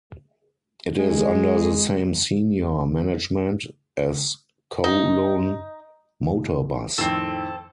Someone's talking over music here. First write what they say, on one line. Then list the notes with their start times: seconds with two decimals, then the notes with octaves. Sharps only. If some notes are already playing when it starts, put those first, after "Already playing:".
It is under the same senior management as Kowloon Motor Bus.
0.99 G#3
4.84 D#4
6.98 F2 A2 D#3 C4 A4